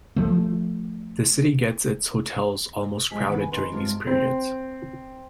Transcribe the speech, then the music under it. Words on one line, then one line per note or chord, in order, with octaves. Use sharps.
The city gets it's hotels almost crowded during these periods.
F3 A3
F3 G#3 G#5 B6
D#3 B3 B4 F#5
G#5
D#4 B4 C6
G2 C3 G#3 C4 F4
C4